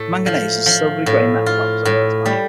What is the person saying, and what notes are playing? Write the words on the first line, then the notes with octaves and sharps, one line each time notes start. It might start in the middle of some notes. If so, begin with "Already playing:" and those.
Manganese is a silvery-gray metal that resembles iron.
Already playing: A2 A3
F3
F3
A2
F4
A2
G3